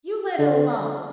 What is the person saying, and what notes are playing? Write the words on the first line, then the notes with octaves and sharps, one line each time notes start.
You let it alone!
D3